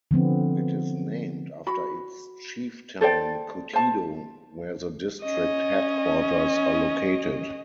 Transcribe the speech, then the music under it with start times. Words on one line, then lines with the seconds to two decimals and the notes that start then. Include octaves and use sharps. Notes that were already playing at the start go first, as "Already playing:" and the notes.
It is named after its 'chief town', Kotido, where the district headquarters are located.
0.11 D3 F3 B3 C4
1.67 F#4 B5
3.01 A4 C5 D5 G5
3.73 C5 A5
5.23 C#4 D#5